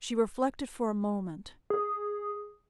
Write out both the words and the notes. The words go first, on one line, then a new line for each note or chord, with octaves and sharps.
She reflected for a moment.
G#4